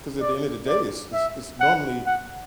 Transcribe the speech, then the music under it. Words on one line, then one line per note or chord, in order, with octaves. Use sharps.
'Cause at the end of the day, it's it's it's normally
D5
D5
E5
F#5
F#5